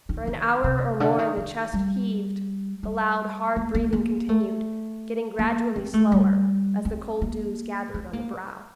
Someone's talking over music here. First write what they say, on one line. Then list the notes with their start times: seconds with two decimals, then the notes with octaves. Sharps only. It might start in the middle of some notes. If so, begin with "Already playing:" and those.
For an hour or more the chest heaved, the loud, hard breathing continued, getting gradually slower, as the cold dews gathered on the brow.
0.09 D#3
0.27 D#3
0.64 C3
1.00 D3
1.18 D#3
1.37 D#3
1.73 G3
2.83 G3
3.56 A#3
3.75 A#3
3.93 A#3
4.29 A3
5.39 A#3
5.76 C4
5.93 A3
6.12 G3
6.85 C4
7.21 A#3
7.94 C4
8.13 A#3